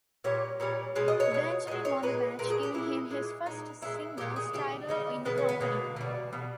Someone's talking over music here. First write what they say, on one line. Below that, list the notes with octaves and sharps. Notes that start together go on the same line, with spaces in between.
Benjamin won the match, giving him his first singles title in the company.
A#2 G3 C#5
A#2 G3 C#5
B2 G#3 C#5
D#5
C#5
B2 G#3
A#2 G#3 D#5
C#5
A#2 G#3 B4
A#2 G#3 A#4
G#4
G4
A#2 G#3 E4
A#2 G#3
A#2 G#3 D#4
A#2 G#3 E4
A#2 G#3 G4
G#4
C#3 G3 G4
C#3 G3 D#4
B2 G#3 B3
C#4
B3
B2 G#3 A#3
B2 G3
B2 G3